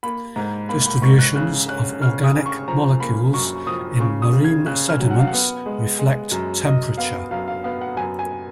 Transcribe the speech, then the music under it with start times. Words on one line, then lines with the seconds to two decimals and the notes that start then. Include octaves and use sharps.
Distributions of organic molecules in marine sediments reflect temperature.
0.03 A#3 B5
0.36 G#2 A#5
0.69 A#3 B5
0.86 B5
1.02 G#2 C#6
1.19 F#6
1.36 C#3 F#6
1.68 C#4 F#6
2.01 C#3 F6
2.24 D#6
2.35 C#3
2.46 C#6
2.68 F3 A#5
3.00 A#3 B5
3.33 F#2 C#6
3.67 F3 D#6
4.00 C#3 C#6
4.22 D#6
4.33 C#3
4.44 G#6
4.66 C#3 F#6
4.88 F6
5.00 F#3
5.11 F#5
5.19 F5
5.27 F#5
5.33 B3
5.66 G#3
5.99 G#3
6.31 F#2
6.65 F#2 D#5
6.98 B3 F5
7.31 F#2 F5
7.48 F5
7.64 B3 F5
7.81 F#5
7.97 F#2 G#5
8.19 G#5